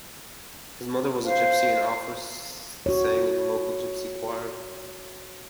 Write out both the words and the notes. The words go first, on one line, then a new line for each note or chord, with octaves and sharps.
His mother was a gypsy and often sang in the local gypsy choir.
C5 F5
F#4 C#5